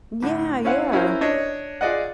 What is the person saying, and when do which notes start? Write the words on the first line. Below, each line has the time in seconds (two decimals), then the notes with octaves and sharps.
Yeah, yeah.
0.22 A2 D3
0.64 C4 C#4 E4 F5 F#5
0.92 C#4 E4 F#4 A#4 C5
1.21 D4 C#5 D#5
1.81 F4 G#4 D5 D#5 F#5